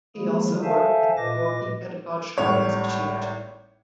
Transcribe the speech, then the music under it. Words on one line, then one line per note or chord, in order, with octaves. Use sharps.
He also worked at the Gorky Pedagogical Institute.
D#3 F3 G#3 A#3 E4 G#4
A4 C5 E5 F5 G#5 A5
A#2 B4 D#5 D6 A#6
G#1 A2 G3 C#5